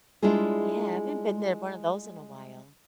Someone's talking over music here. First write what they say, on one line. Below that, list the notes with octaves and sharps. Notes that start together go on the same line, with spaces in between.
Yeah, I haven't been there in one of those in a while.
G3 G#3 D4 E4 F4 G#4